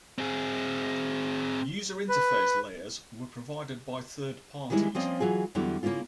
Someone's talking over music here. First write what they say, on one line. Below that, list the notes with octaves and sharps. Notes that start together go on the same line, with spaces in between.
User interface layers were provided by third parties.
C4 G#4
B4
D#3 E3 G3 G#3 E4
F3 A#3 C4 C#4 D5 D#5
E3 F#3 F4 G#4
E2 D3 F#3 G3 E4
C#3 A#3 C#4 E4 F4